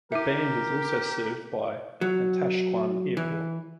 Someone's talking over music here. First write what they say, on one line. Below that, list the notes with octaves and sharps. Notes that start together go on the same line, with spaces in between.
The band is also served by Natashquan Airport.
E4 G4 A#4 E5
F#3
E3